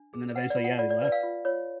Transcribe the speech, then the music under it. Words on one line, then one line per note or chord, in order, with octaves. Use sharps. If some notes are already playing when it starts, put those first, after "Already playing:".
and then eventually, yeah, they left.
Already playing: D4
G#4
B4 F#5
D5
F4
F#5
F4 D5
D5
B4 D5
F5
F4
F4 C#5